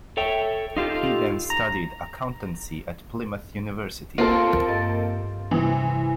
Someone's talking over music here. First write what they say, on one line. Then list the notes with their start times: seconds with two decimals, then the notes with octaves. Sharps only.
He then studied Accountancy at Plymouth University.
0.17 A4 C#5 E5 G5
0.76 D#4 F4 G4 A4
1.50 A#5
4.18 A#3 C4 F4 A4
4.67 G2 D#5 A6
5.51 C3 E3 G3